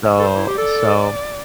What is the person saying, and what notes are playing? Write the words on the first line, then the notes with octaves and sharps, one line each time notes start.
So so
A4 C5
E4
G4
A4 D5